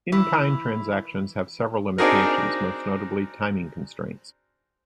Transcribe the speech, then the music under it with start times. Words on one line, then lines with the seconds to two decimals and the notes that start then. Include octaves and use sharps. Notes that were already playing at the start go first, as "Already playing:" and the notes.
In-kind transactions have several limitations, most notably timing constraints.
0.12 E3
1.98 C4 D4 D#4 F#4 G#4 A#4